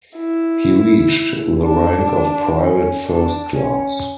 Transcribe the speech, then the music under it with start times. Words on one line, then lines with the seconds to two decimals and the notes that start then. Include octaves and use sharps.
He reached the rank of Private First Class.
0.17 E4
1.62 D4
2.59 C#4
3.07 D4
3.55 C#4